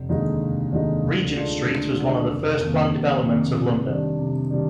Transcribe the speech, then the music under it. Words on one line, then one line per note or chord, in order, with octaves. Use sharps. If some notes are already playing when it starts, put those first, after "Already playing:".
Regent Street was one of the first planned developments of London.
Already playing: F1
D#2 D3 G#3 D#4
F1
D#2 D3 G#3 D#4
D2
D3 G#3 D4 F4
D2
D3 G#3 D4 F4
F1
F2 D#3 A#3
F1
F2 D#3 A#3
C3
D#3 G3 D4
C3
D#3 G3 D4